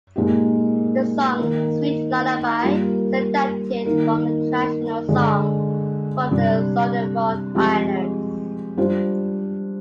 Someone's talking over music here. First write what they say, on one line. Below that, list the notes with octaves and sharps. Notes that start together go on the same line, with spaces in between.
The song "Sweet Lullaby" is adapted from a traditional song from the Solomon Islands.
A#2 G#3 D#4 G4
D#3 A#3 D#4
G3 A#3 F4 A#4
D#3 A#3 D#4 A#4
D3 G#3 D4
C3 G3 D4
F3 G#3 C4 G4
G3 D4 F4 C5